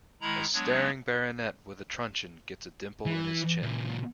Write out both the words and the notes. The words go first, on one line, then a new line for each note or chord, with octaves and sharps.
A staring baronet, with a truncheon, gets a dimple in his chin.
D#3 G#3 E4 A#5 B5
F#3 G#3 B3 D4 C#5
E3
A#2 C#3